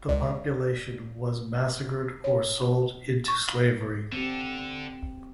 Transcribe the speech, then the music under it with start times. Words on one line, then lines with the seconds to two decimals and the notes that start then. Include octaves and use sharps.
The population was massacred or sold into slavery.
0.09 C#2 D5
2.24 C#5
3.28 C#6
4.12 D3 C4 G4